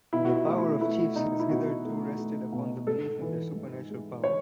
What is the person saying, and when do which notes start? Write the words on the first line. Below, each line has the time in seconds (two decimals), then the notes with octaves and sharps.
The power of chiefs has hitherto rested upon the belief in their supernatural power.
0.13 B2 E4
0.25 F#4
0.35 E4
0.47 A3 F#4
0.58 E4
0.81 A3 E4
1.16 B2 D#4
1.40 E4
1.50 B2 F#4
1.85 A3
2.18 A3
2.53 B2
2.87 G#2 A4
3.21 E3
3.55 G#2
3.90 G#3
4.24 C#5